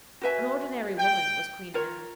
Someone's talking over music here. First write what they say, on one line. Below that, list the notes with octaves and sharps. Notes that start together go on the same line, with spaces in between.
An ordinary woman was Queen Anne.
F#4 B4 E5 G#5
G5
F4 A#4 C#5